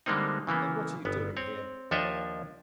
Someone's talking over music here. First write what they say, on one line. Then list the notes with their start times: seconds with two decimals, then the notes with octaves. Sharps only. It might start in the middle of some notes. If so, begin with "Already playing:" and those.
"Then what are you doing here?"
0.06 D3 G3 G#3 A#3 C4 D#4
0.47 C#3 E3 A#3 B3
1.05 G1 B3
1.37 C4 C#5
1.91 D#2 F3 D4 C#5 D#5 E5